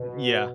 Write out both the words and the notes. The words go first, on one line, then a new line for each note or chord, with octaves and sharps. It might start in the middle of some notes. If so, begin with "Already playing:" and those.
Mm, yeah.
Already playing: B2